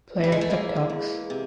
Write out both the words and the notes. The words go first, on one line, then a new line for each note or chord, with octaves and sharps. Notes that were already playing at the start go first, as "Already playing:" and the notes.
Player pep talks.
G3
G#3
A3
E3 G#3 A#3
E2
C3